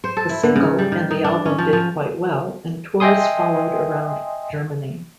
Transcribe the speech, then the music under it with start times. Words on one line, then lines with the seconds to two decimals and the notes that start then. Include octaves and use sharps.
The single and the album did quite well, and tours followed around Germany.
0.04 C5
0.17 A4
0.29 E4
0.43 D3
0.56 C#3
0.79 G3
0.92 D#3
1.11 D#4
1.24 D4
1.46 C#4
1.58 F3
1.73 F3
3.00 D#5 E5 G5 G#5 C6 D#6